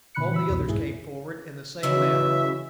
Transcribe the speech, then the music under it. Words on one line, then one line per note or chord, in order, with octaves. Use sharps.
All the others came forward in the same manner.
A#2 D3 B5 F#6 C#7
E3 B5 E6
C2 F2 B2
G#2 E4 G#4
D#2 C#3 E3 F#3 E5